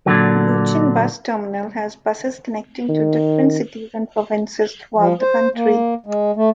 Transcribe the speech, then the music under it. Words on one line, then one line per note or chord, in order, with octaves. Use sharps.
Bucheon Bus Terminal has buses connecting to different cities and provinces throughout the country.
A#2 D3 D#3 F#3
D#3
F3
C5
A#3
G#3
A3